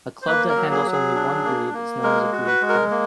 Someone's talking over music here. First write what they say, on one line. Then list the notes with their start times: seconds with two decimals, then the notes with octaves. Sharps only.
A club that handles only one breed is known as a breed club.
0.22 C5
0.27 A#3 B4
0.49 A#4
0.56 F#3
0.72 G#4
0.86 F#3
0.93 G#4
1.15 D4
1.45 A#3
1.73 A#3
2.03 G#3 A#4
2.33 F#4
2.47 B4
2.61 G#3
2.69 A#4
2.91 A#3